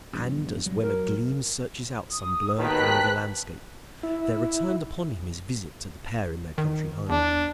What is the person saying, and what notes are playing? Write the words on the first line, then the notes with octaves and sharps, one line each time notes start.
And as when a gleam searches out some blurred corner of a landscape, there returned upon him his visit to the pair in their country home.
A#1 E2 G2
F1 F#3 G3
F#3 A#4
D#6
D#2 B2 D#3 B4 G5 A5 F#6 B6
E4
D#3
E2 D4